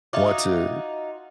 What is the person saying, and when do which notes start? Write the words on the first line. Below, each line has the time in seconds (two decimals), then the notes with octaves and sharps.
want to
0.13 D#4 F4 F#4 D#5 E5 D6